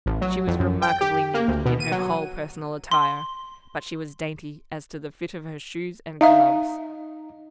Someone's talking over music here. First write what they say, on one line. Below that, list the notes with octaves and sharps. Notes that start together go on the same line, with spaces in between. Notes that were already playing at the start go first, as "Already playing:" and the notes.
She was remarkably neat in her whole personal attire; but she was dainty as to the fit of her shoes and gloves.
A1
F#3
F2
F#2
G5
G4
A#3
D2
B2
D#7
F#3
C6
D#4 E5 F5 A#5